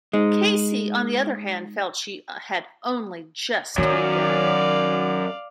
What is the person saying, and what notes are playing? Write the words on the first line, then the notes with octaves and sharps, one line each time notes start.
Cosey, on the other hand, felt she had only just begun.
G#3 D#4
F#2 D#3 F#3 D5 F5